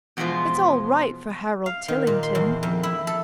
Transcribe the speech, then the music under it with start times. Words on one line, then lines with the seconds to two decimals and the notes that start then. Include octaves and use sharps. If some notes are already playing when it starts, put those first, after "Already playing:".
It's all right for Harold Tillington.
0.17 E2 B2 F3 G#3 F4 C5
1.66 F5
1.88 D#3
2.07 A#2
2.23 C6
2.35 E2
2.63 F2
2.83 E4
3.07 A4